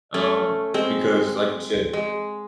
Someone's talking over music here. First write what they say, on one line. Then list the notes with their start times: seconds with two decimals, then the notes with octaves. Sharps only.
um, because like you said
0.14 A3 C#4
0.74 G#3 C4
1.93 G#3